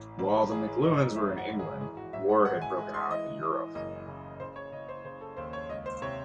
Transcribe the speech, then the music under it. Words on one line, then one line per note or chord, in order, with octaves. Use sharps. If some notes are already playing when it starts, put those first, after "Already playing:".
While the McLuhans were in England, war had broken out in Europe.
Already playing: A1 A2 E3
A1
E3 G#4
G#1 D#5
F#2 E5
F#5
G#1
G#4
E3 G#4
F#4
A1 E5
F#5
G#3 F#5
G#5
G#3
C6
E3 D#5
E3
F#1 D#5
C#3
C#3 C5
C#5
C#3 D#5
C5
C#3 C5
A4
D#2 C5
C#5
C#2 D#5
C5
C3 C#5